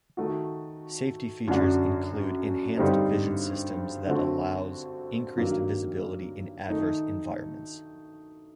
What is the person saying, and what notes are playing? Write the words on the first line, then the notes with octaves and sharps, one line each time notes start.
Safety features include Enhanced Vision Systems that allows increased visibility in adverse environments.
D#3 A3 D#4 F#4
F#2 D3 A3 D4 F#4
G2 D3 G3 C4 D#4
D3 A3 C4 F#4
G2 D#3 F#3 A#3
D#3 A3 D#4